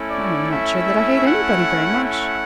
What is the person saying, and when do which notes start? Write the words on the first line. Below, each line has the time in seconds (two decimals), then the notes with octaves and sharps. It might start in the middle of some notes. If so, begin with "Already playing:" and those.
"I am not sure that I hate anybody very much."
Already playing: A3 C#4 E4
0.09 D5
0.48 E5
1.24 F#5
2.02 F#5